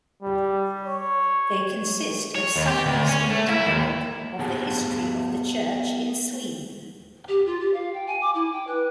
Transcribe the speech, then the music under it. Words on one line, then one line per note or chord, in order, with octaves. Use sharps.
They consist of summaries in dialogue of the history of the church in Sweden.
G3
C#5
C#5
D#2
G4
D2
C#4
A3
E4
D#2
B3 G4 G#4 F5 G#5 A5
G4
F4
G4
F5
G5
G#5
D6
E4
G5
B4